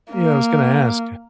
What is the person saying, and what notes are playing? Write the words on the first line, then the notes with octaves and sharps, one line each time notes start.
Yeah, I was gonna ask.
A#3